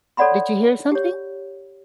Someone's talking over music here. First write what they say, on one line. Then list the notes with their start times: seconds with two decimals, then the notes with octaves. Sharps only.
Did you hear something?
0.17 A4 C#5 D5 F#5 B5 C6
0.92 G4 C#5